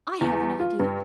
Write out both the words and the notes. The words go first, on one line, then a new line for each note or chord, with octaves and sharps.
I have an idea.
E2
F4
G2